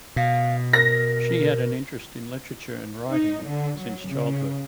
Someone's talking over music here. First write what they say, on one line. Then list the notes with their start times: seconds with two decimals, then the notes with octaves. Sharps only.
She had an interest in literature and writing since childhood.
0.16 B2 F5
0.73 A#4 A#6
3.11 D#4
3.45 D3
3.78 F#3
4.09 C#3